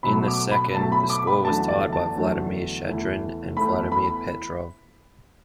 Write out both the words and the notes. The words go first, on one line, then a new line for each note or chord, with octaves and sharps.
In the second the score was tied by Vladimir Shadrin and Vladimir Petrov.
B2 F#3 A3 B5
D6
B5
B2 F#3 A3 A5
B5
D6
B5
E2 D3 F#3 A3 A5
D5
A5
E2 D3 F#3 A3
E2 E3 A3
E2 E3 A3 B5
B5